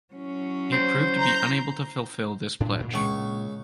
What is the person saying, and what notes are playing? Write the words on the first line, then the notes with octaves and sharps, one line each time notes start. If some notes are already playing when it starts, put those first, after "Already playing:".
It proved to be unable to fulfill this pledge.
F#3 C#4 E4
C5
A#5 G6
A2 D4
A#2
C#2 C#6